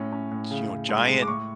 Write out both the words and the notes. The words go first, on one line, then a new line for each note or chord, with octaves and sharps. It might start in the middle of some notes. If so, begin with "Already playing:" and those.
you know, giant
Already playing: A2 C#4
C#4
A2
C#3
C#3
G#3
G#3
D6
A2 C#6